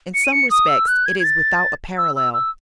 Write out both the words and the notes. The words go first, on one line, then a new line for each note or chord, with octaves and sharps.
In some respects it is without a parallel.
C#7
D#7
C#7
D#6
E6
F#6
G#6
G#6
A6
E6
E6
E6